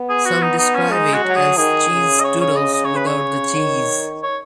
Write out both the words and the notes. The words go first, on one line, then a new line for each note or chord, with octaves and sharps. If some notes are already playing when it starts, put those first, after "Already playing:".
Some describe it as Cheez Doodles without the cheese.
Already playing: B3
G#4
F#4
D#4
D#4
C#4
G#3 D#4
F#4
F#3
G#4
D#3 G#4
C#3
D#5
C#5
C#5
D#5
D#5
C#5
B4
C#5
D#3
C#5